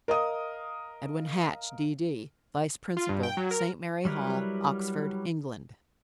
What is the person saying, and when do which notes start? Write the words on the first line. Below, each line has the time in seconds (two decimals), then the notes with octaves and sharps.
Edwin Hatch, D. D., Vice-Principal, St. Mary Hall, Oxford, England.
0.08 A#4 D#5 F5 D#6
2.97 F4
3.09 G2
3.23 G5
3.37 F#3
3.51 A#4
4.05 F#3 G3 E4 A#4 B4